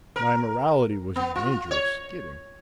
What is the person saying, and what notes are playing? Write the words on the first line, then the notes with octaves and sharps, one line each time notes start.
My morality was in danger of skidding.
A#4
B3
F4
C#5